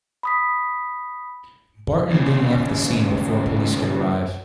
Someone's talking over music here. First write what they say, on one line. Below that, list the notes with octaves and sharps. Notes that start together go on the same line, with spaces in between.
Barton then left the scene before police could arrive.
B5 D#6 B6
D#2 C#3